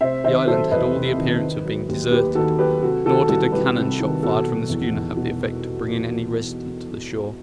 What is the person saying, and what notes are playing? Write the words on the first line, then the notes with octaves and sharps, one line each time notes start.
The island had all the appearance of being deserted, nor did a cannon-shot fired from the schooner have the effect of bringing any resident to the shore.
C3 C5 E5
D#3 C5 E5
F#3 A4 C5
E2 B4 D#5
C3
D#3
D#3
F#3
D#2
D#2 G4 B4
D#3 F#4 A4
F#3 G4 B4
C3 F#4 A4
D#3 F#4 A4
C2 F#4 A4
C2 G4 B4
C3
D#3
B2 F#4 A4
F#3
E2
E2
B2